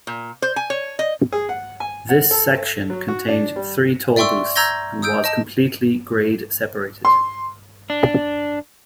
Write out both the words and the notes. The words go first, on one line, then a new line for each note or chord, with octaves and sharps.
This section contained three toll booths, and was completely grade-separated.
A#2
C5
G#5
C#5
D#5
G#4
F#5
G#5
F#5
A4
F#3
F#4
D4
G3
D5 E5 G5 C6 C#6 E6
A#5 E6 G6 G#6 A#6 G7
D#6 E6 G6 D7
D#5 A5
C6
D4